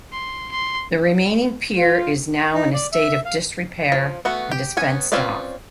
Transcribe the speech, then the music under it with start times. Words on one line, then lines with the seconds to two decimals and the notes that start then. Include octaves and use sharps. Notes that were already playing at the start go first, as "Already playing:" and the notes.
The remaining pier is now in a state of disrepair and is fenced off.
0.13 C6
0.52 C6
1.76 F4
2.54 D#4
2.74 D5
2.92 E5
3.25 F5
3.92 F3
4.25 A3 B3 F#4
4.51 G4
4.77 B3 C#4 G#5
5.12 C4 C#4 F4 B4 D5